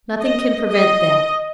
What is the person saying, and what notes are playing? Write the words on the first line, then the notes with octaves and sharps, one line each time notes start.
Nothing can prevent that.
D#5
D#5